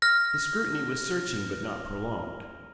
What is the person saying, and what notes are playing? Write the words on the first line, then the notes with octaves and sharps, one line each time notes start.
The scrutiny was searching but not prolonged.
F6 A#6